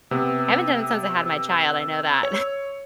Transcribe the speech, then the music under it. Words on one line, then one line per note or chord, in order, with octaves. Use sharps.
I haven't done it since I had my child I know that.
C3 B3 E6
C#5